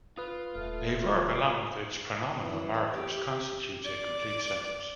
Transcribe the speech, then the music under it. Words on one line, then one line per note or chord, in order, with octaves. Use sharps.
A verb along with its pronominal markers constitutes a complete sentence.
F4 B4 D#6
D#1 A3
E3
G4
D5